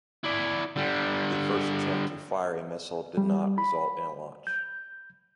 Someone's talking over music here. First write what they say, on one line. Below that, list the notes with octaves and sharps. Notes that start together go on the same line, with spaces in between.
The first attempt to fire a missile did not result in a launch.
E4 D5
D3 G3
G3
B5
G6